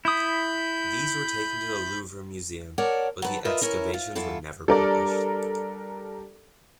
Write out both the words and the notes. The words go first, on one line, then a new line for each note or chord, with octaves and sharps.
These were taken to the Louvre Museum, but the excavations were never published.
E4 B5 D#6 G6
A#4 C#5 D5 F#5 A5
F#3 B4 A5
F4 A#4 B4 D#5 E5
C#4 E4 A#4
F4
F#2 E4 F4 A4
G3 D4 G4 A4 A#4 D5